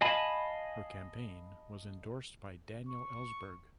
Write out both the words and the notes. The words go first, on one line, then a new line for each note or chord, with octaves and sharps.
Her campaign was endorsed by Daniel Ellsberg.
D#5 F5 G#5 A5 B5
C#6